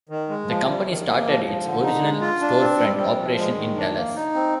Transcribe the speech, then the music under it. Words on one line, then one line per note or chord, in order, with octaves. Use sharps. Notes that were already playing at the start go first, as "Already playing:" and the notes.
The company started its original storefront operation in Dallas.
D#3
G#3
F3
G3
D#3
A#3
F3
F3
D3
D#4
G#3
F4
D4
C4
G3
C4
F3
G#3
D#3
D4
A#3
D#4
C4